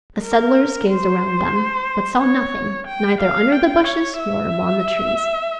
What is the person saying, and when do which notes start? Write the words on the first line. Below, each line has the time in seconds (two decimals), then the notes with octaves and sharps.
The settlers gazed around them, but saw nothing, neither under the bushes nor among the trees.
0.24 A#4
0.91 C5
2.21 C#5
2.86 G5
3.20 F5
3.52 G5
3.84 C#5
4.18 E5